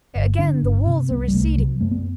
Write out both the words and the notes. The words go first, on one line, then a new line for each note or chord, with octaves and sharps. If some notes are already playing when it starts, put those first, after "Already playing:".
Again the walls are receding....
G1
D3 D4
G1
C3
C2 B3
G3
C2 A3
C3 F#3
F#2 A3
B3